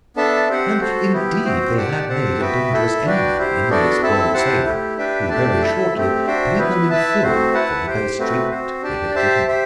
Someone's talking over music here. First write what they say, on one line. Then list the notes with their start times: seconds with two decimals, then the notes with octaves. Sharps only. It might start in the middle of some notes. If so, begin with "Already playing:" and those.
And indeed they had made a dangerous enemy in this bold sailor, who very shortly paid them in full for the base treatment they had given him.
0.16 B3 D4 A4 E5 A5
0.48 C4 G4 C5 F#5
0.81 F#4 A4 C5
1.13 B3 E4 G4
1.45 C4 F#4 C5 G5
1.77 G4 D5 F#5 A5
2.09 C4 G4 C5 F#5 A5
2.41 B3 F#4 B4 E5 G5
2.73 E4 A4 E5
3.05 D4 F#4 B4 D5 G5
3.38 E4 G4 C5
3.69 B3 D4 F#4 A4 D5
4.01 C4 E4 A4 E5 A5
4.33 E4 G4 C5 F#5 A5
4.65 A3 E4 G4
4.97 D4 G4 B4 E5 G5
5.29 A3 D4 G4 D5 A5
5.62 E4 A4 E5
5.94 A3 C4 G4
6.26 D4 F#4 C5 E5 G5
6.58 B3 E4 B4
6.90 E4 B4 E5 A5
7.23 A3 C4 F#4 C5
7.54 E4 B4 F#5 A5
7.86 G4 C5 G5
8.19 A3 C4 F#4 B4
8.51 C4 F#4 C5
8.83 D4 G4 D5 A5
9.15 G4 C5 E5 A5
9.47 G4 C5 E5